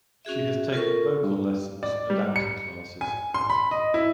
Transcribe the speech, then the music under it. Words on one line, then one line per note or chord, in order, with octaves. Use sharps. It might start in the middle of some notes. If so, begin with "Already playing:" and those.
She has taken vocal lessons and acting classes.
C#4 F#4 G#4 E5
F4 A4 A#4 C#6
G2
D5
G3
C#7
G#5
C6
B5
D#5
E4